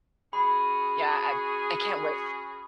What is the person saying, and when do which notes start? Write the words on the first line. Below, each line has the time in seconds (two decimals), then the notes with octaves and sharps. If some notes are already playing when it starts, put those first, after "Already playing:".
Yeah, I I can't wait.
0.33 C#4 F#4 G#4 B5